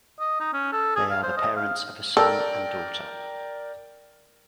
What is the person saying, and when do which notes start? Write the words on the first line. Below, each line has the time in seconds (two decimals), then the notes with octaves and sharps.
They are the parents of a son and daughter.
0.20 D#5
0.40 D#4
0.54 C#4
0.73 A4
0.96 G#4
1.11 F5
1.23 C5
1.37 D#5
1.57 F5
2.17 A4 A#4 D5 G5